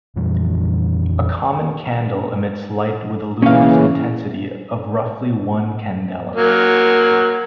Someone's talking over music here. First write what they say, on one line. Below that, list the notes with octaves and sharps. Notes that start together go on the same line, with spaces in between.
A common candle emits light with a luminous intensity of roughly one candela.
F2 A#2 E3 G3
C#3 E3 A#3 C#4 F5
F#3 A#3